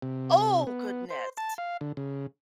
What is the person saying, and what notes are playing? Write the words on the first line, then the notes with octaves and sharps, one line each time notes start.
Oh, goodness!
C3
B3
C5
A5
F5
D3
C#3